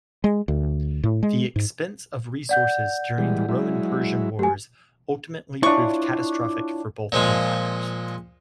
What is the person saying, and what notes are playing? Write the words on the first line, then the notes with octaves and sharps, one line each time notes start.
The expense of resources during the Roman-Persian Wars ultimately proved catastrophic for both empires.
G#3
D2
A2
G#3
G#2
D5 F#5 G6
E3 G3 G#3
F#3 G#3 E4
F#3 A3 G4 G#5
D4 E4 F4 C#5 C#6
A#2 F3 G#3